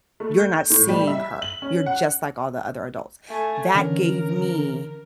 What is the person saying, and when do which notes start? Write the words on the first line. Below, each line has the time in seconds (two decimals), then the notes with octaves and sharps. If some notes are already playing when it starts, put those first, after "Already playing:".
"You're not seeing her. You're just like all the other adults." That gave me
0.20 A3
0.39 G6
0.70 A2
0.89 G3
1.08 E5
1.42 F#7
1.62 C#4
1.86 F#5
3.29 A3 G#5
3.75 D3 E3 C#4 A#4